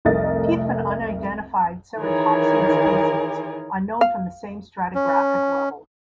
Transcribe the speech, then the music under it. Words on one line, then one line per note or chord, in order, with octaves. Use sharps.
Teeth of an unidentified ceratopsian species are known from the same stratigraphic level.
F1 C2 A3 A#4 D#5 A6
D#3 E3 G#4 A#4 C#5
F5
C#4